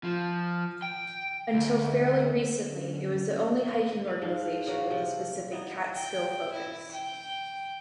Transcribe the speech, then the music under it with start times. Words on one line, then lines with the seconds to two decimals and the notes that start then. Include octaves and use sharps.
Until fairly recently it was the only hiking organization with a specific Catskill focus.
0.04 F3
0.82 G5
1.54 D2
2.56 D3 F#3 C#4
4.05 B4 F5
4.22 G#2 F3 D4 F5
4.67 C#3 A#3 F#4
4.90 C3 F3
5.52 E3 B3 D#4
5.94 G5
6.51 E4
6.91 G5